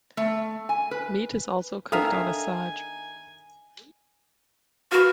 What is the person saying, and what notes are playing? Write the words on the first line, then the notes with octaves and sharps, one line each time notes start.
Meat is also cooked on a "saj".
A3
G#5
B4
D#3 D4 A4 E5 F5 G#5 A#5 D#6
F#4 B4 F5